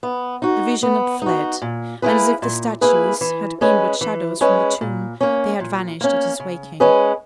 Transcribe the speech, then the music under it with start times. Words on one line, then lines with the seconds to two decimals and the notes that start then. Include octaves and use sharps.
The vision had fled; and as if the statues had been but shadows from the tomb, they had vanished at his waking.
0.03 B3
0.42 D#4 F#4
0.83 B3
1.22 D#4 F#4
1.62 A#2
2.02 A#3 E4 G#4 B4
2.42 A#2
2.81 A#3 E4 G#4 B4
3.21 E3
3.61 G#3 C#4 G#4 B4
4.01 E3
4.41 G#3 C#4 G#4 B4
4.81 A#2
5.21 A#3 C#4
5.60 A#2
6.01 A#3 C#4
6.40 C#3
6.80 G#3 C#4 G#4 B4